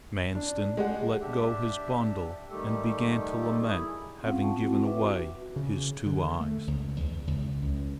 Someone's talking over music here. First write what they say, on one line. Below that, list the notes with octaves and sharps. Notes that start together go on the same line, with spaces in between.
Manstin let go his bundle and began to lament having given away his two eyes.
D4
G#3 G4 F#5
D4 G4 E5
D#3 G3 A3 G4 A4
E4 G#4
C4 C#4 F4 F5 F#5
F#5 G5 A5 C#6
C4 E4 F#4
B4 E5 D6
F#4
C#3
D3
A3
C#2
E2
C#2
C#2